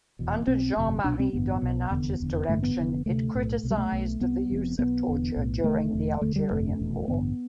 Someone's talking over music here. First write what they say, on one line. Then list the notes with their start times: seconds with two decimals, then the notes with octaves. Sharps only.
Under Jean-Marie Domenach's direction, it criticized the use of torture during the Algerian War.
0.19 F1 E2 B2
0.47 B1 B2 C4
0.77 G1 F2 C3
1.04 C2 B2 D4
1.20 C4
1.33 A1 G2 D3 B3
1.62 B1 B2
1.91 F1 E2 D3 B3
2.20 F1 E2 D3
2.48 A1 G2 D3 A3
2.63 B3
2.77 F1 F2 D3
3.06 D2 C3 A3
3.35 B1 A2
3.63 C2 B2
3.71 G3
3.78 A3
3.92 B1 B2
4.21 C2 C3 B3
4.50 F1 F2 C3
4.79 B1 B2 B3
5.07 E1 E2 D3
5.36 B1 A2
5.64 E1 E2 D3 A3
5.93 E1 E2 D3
6.22 E1 D2 D3 A3
6.36 G3
6.51 G1 F2 C3 A3
6.79 F1 E2 B2
7.08 A1 G2 D3 B3